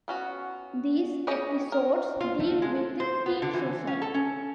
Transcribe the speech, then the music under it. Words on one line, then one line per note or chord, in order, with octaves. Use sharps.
These episodes deal with teen suicide.
B3 C#4 F#4
C#4 G4 G#4 C#5 D#5
A#4
F4
A3
G#3
A4
C5
B3
D3
E3
C#4
A4
C#4